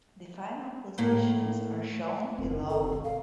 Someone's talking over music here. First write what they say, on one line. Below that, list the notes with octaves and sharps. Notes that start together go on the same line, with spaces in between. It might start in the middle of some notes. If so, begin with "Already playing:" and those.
The final positions are shown below.
A2 A#3
F#1 C4
A4
B2
F5